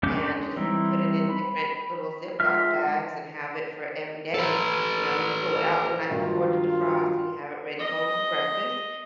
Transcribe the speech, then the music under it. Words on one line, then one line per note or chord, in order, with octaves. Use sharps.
and just put it in different little Ziploc bags and have it for every day. You know, you pull it out the night before to defrost, and you have it ready for him for breakfast
G#3 C#4 D4 D6 G6
E3 G3 C4 D#4 E4
B5
G#3 F4 E5 F6
A4 B4
G2 D#3 F#3 F4
D#5